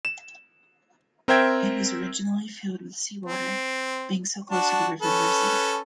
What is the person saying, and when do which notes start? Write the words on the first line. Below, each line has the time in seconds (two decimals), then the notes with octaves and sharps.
It was originally filled with sea water, being so close to the River Mersey.
0.05 E7
1.28 C4 A#4 C5 E5 G5 G#6
3.26 C4
4.51 D4 F#4 A5
5.02 C#4 A4 B4